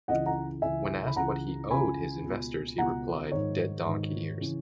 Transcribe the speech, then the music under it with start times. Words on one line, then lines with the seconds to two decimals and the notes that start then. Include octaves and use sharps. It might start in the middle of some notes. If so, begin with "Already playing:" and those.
When asked what he owed his investors he replied: "dead donkey ears".
0.08 C#2 C#3 E3 D#5 F#5
0.26 F#5 A#5
0.62 C#2 C#3 E3 E5 G#5
1.07 B5
1.16 C#2 C#3 E3 F#5 A#5
1.70 C#2 C#3 E3 G#5 B5
2.24 C#2 B2
2.78 C#2 B2 F#5 A#5
3.32 G#2 D#3 C#5
3.86 G#2 D#3
4.41 C#3 E3